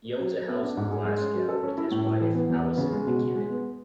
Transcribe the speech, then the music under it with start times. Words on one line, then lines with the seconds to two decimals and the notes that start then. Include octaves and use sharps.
He owns a house in Glasgow with his wife, Alison McKinnon.
0.20 F#3
0.34 F#3
0.49 B3
0.63 D4
0.77 G#2
0.91 G#4
1.05 G#3
1.20 C#4
1.34 F#3
1.48 A4
1.63 C#4
1.78 E4
1.91 A2
2.06 A2
2.20 E3
2.35 B3
2.50 E2
2.64 B3
2.78 C#3
2.92 G#3
3.07 B2
3.21 F#4
3.35 G#3
3.50 B3